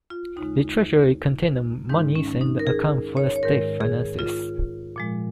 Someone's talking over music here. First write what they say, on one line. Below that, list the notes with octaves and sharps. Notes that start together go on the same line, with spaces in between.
The treasury contained the monies and accounts of the state finances.
F4
D#2 C#3 G#3 D#4
G#2 D#3 G#3 D#4
C#4
D#4
A#4
G#4
C#5
C#5
G#2 D#3 G#3 A#4
G#4
F4
A#2 F3 G#3